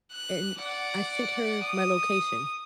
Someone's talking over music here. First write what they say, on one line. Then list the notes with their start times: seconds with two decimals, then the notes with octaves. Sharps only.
And I sent her my location
0.12 F#6
0.59 D5 F#5
1.63 D#6